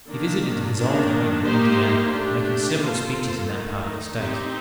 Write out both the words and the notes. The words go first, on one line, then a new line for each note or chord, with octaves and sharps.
He visited his old home in Indiana, making several speeches in that part of the State.
D#3 A#3 D4
D#3 A#3 D4
A#3 D#4 G4 C5
A3 D4 G4
A#3 F4 A4 C5
D#3 A3 D#4
C4 D#4 G4